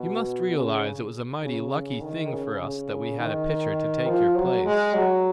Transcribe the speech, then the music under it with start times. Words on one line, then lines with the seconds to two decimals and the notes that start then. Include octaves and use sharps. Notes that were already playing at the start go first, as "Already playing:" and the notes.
You must realize it was a mighty lucky thing for us that we had a pitcher to take your place.
Already playing: B2
0.54 C#3
1.42 C#3
1.71 C#3
2.01 D#3
2.30 C#3
2.59 C#3
3.18 D#3
4.07 F3
4.35 F#3
4.65 G#3
4.94 F#3